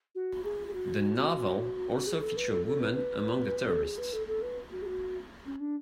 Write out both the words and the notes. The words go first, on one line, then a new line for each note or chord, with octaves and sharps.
The novel also features women among the terrorists.
F#4
G#4
G#4
F#4
F#4
G#4
A4
B4
A4
A4
B4
B4
A4
G#4
B4
A4
A4
B4
F#4
G#4
F#4
C#4
D4